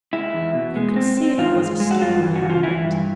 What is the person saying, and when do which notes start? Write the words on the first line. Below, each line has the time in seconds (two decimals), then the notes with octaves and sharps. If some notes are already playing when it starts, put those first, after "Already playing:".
You could see there was a story behind it.
0.13 G#3 E4
0.34 E2
0.54 B2
0.76 G#3
0.96 C4
1.17 C4
1.38 G#2 F4
1.59 G#3
1.80 G#3
1.91 F#4
2.01 G2 F4
2.22 E3
2.36 F#4
2.43 E3
2.50 F4
2.63 E3 E4
2.84 G2